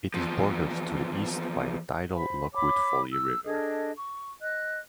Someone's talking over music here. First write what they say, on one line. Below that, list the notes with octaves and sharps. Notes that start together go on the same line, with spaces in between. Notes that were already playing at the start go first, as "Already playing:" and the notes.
It is bordered to the east by the tidal Lockwood Folly River.
E2 F3
C5 B5
C#5 B5 D6
E6
D4 G#4 A4 D#5
C#6
D#5 F#6